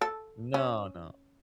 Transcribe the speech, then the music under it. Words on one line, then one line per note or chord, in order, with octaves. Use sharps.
No, no.
A4
C#4